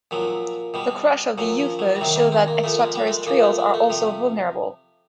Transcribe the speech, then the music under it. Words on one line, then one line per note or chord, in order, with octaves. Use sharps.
The crash of the UFO shows that extraterrestrials are also vulnerable.
A#2 F3 F#3
B2 G3
A#2 F3 F#3
F3
F#3
G3
C3 D#3 F#3
G3
C4
A#3
A#2 F3 A3
G#3
G3
A3
G#3
A#2 F3 A#3
A3
G#3
A3
C3 F3